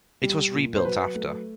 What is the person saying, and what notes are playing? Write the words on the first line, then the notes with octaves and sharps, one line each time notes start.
It was rebuilt after.
G3
A#2
C5
F#3 B4
A3